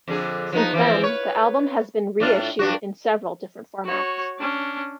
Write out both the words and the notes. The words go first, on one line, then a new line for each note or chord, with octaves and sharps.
Since then, the album has been re-issued in several different formats.
F2 D3 G#4
F3 B3 D#4
E3 F3 C4
B4 C#5
A2 D4 F4
G2 D4 F#4
F#4 C#5
C#4 D4